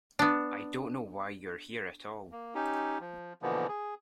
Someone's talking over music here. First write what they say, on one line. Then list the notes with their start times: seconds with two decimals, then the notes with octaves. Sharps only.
I don't know why you're here at all.
0.19 B3 D4
2.32 A#3
2.55 C#4 D#4 G4
3.00 F3
3.42 B2 D3 E3 F3 A#3 B3
3.68 G#4